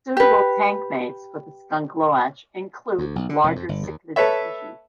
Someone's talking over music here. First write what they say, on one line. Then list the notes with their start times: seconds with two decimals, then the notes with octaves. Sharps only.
Suitable tank mates for the skunk loach include larger cichlid species.
0.17 G4 B4
2.98 D2
3.16 B1
3.29 D3
3.44 F1
3.56 F2
3.69 G1
3.83 D#2
4.16 A4 B4 C#5 E5